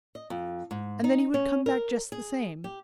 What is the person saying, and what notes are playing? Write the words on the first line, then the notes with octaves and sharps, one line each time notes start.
"And then he would come back just the same."
D#5
F2
G#2
D#4
C#4
A#4
G#4
G4